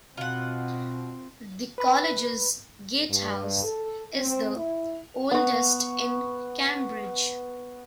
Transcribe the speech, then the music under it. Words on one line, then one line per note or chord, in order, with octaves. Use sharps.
The college's gatehouse is the oldest in Cambridge.
B2 C4 F4 F#5
B4 B5
G2
A4
C4
E4
B3 C#6